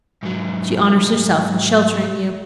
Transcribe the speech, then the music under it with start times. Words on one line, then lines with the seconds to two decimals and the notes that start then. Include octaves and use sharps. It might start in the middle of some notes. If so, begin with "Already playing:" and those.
She honors herself in sheltering you.
0.23 G#2 F#3